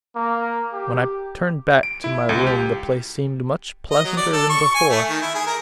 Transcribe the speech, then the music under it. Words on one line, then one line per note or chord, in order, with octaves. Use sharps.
When I turned back to my room the place seemed much pleasanter than before.
A#3
G4
D7
E4
C#2
G4
D#5
F#3
D5
A4
C#6
G#5
A3
D#3
E4
G#4
A#4